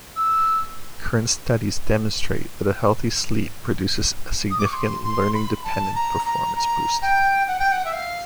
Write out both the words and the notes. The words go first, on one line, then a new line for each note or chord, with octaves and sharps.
Current studies demonstrate that a healthy sleep produces a significant learning-dependent performance boost.
E6
D#6
D6
C#6
C6
C6
B5
A5
A#5
A#5
A#5
G5
F#5
G5
F#5
E5
F5